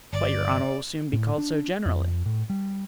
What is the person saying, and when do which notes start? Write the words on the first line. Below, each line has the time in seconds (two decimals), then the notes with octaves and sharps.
"But your honor will soon be called so generally."
0.13 G1 D5
1.13 A2
1.38 D4
1.86 F2
2.26 A2
2.50 G3